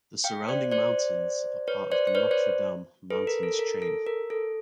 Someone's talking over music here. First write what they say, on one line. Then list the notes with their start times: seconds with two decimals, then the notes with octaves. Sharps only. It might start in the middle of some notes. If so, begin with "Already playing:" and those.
The surrounding mountains are part of the Notre Dame Mountains chain.
0.24 F5 G5
0.49 C5 D5
0.71 C5 D5
1.68 B4 C#5
1.91 C5 D5
2.07 C5
2.15 B4 C#5
2.31 C5 D5
3.10 A4 B4
3.27 A#4
3.43 A4
3.59 A#4
3.82 A4
4.07 A#4
4.30 A4